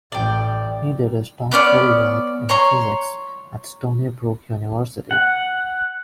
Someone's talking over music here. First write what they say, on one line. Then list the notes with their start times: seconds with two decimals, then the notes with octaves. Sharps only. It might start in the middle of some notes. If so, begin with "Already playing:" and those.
He did his doctoral work in physics at Stony Brook University.
0.12 A1 D5 G5
1.51 B3 C#4 D5 F6
2.49 C#5 A#5 C6 C#6
5.11 F#5